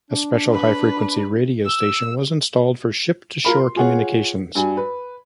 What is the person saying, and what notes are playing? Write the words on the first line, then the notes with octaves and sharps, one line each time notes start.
A special high frequency radio station was installed for ship-to-shore communications.
D4
B4
E6
F4 A#4 B5
C6
F4 G#4 C#5 F#5
G2 F#4 G#5
B4